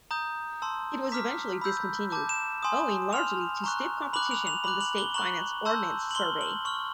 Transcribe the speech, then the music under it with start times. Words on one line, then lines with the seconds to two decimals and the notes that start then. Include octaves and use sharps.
It was eventually discontinued owing largely to stiff competition from the state-financed Ordnance Survey.
0.11 A#5 D#6 G6
0.62 A5 C6 E6
1.12 A#5 D6 F6 B6
1.61 B5 E6 G6
2.12 A5 D6 G6
2.29 E7
2.63 G#5 C6 D#6
3.13 C6 F6 F7
3.64 A#5 C#6 F#6
4.13 B5 D6 F#6 F#7
4.31 F7
4.47 F7
4.64 B5 D6 F#6 F#7
4.81 F#7
4.98 G7
5.14 A#5 C#6 F#6 F#7
5.65 A5 C6 E6 G6
6.11 F#7
6.15 C6 F6 G7
6.41 F#7
6.65 C#6 F6 F#7